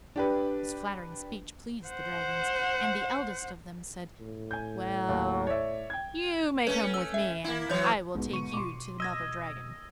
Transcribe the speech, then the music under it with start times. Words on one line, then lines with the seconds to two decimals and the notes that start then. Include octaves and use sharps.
This flattering speech pleased the dragons, and the eldest of them said, 'Well, you may come with me, and I will take you to the Mother Dragon.'
0.16 D4 G4 B4
1.87 C5 F#5
4.20 A2
4.51 G#5 G6
5.09 D#2
5.47 C#5 D5 E5
5.90 G5 G#6
6.67 A3 C#4 B4
6.94 E6
7.14 E5
7.44 A#3 E4
7.69 E3 F#3 C#5 G6
8.15 B1 G#2 B2
8.33 D3 C#6 D#7
8.53 B2 C6 D6
9.00 D#5 E6 G#6 A#6